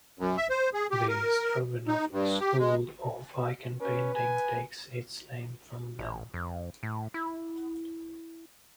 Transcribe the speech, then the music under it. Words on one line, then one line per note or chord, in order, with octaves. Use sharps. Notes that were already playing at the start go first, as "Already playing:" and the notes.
The Stroganov School of icon-painting takes its name from them.
F#2
E5
C5
G#4
G4
A#4
D#4
G2
G4
G#3
C#4 B4
G#5
A1
F2
A2
E4